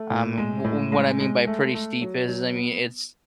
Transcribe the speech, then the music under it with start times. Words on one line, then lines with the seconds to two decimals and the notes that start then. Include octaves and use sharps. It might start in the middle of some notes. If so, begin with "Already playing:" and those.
um, and wh and what I mean by pretty steep is, I mean, it's,
Already playing: A3
0.10 A2
0.38 G#3
0.65 A2
0.92 G#3
1.20 G#3
1.47 A3
1.74 A3
2.01 F#3
2.29 F#3
2.56 B3